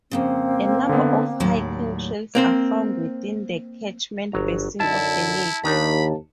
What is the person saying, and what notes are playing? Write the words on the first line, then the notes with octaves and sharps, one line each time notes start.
A number of hiking trails are found within the catchment basin of the lake.
F2 G#2 C#3 A#3 C4
D3 B3
D#2 A2 F#3 D5
A#3 C4 C5
G1 F#3 A#5
F#2 D3 D#4 E4 A5
D#2 D#3 D4 D#4 B5